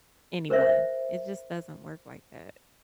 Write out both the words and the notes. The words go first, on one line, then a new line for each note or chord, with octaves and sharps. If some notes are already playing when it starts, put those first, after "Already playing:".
anyone. It just doesn't work like that.
A#4 C5 C#5 E5